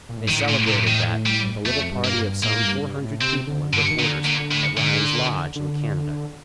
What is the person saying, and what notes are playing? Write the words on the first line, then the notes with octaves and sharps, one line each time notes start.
They celebrated that, with a little party of some four hundred people and reporters at Ryan's lodge in Canada.
A#2
A2
G2 D#3
A2
A#2
C3
D#3
G3
F2 A3
G2
A#3
G2
A2 A#3
G2
G2
A2
C3 C4
D3
G2 D3
D#3
A#2 D3
A#2
A2
A#2 D3
D3